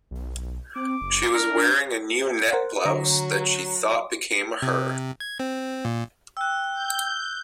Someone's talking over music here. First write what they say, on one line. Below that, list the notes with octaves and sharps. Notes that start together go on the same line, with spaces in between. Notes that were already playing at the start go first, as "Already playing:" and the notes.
She was wearing a new net blouse that she thought became her.
B1
C4 D6
F#1
D4 A#4
A#4 C5 F#5
D3 F#3 A#5
C3
G#6
C4
A#2
G5 E6 F#6
G6